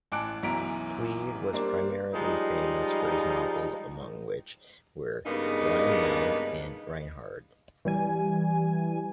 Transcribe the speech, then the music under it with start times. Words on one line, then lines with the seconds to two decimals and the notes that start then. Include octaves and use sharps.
Tweed was primarily famous for his novels, among which were "Blind Mouths" and "Rinehard".
0.12 A1 G#5 A5 D6 F#6 D7
0.43 B1 F#2 E3 A#5 B6 D7
1.53 G3 A#3 D4 A#4 C5 D5
2.15 F3 G3 G#3 D#4
5.26 G2 C#3 G#3 A#3 B3 D#4
7.85 E3 G3 G#5